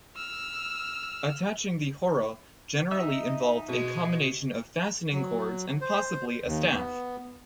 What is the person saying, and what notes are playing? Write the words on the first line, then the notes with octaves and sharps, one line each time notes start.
Attaching the "horo" generally involved a combination of fastening cords and possibly a staff.
E6 F6
D#4 D#5 E5 E6
B2 G#3
F#3
C5
D#2
B3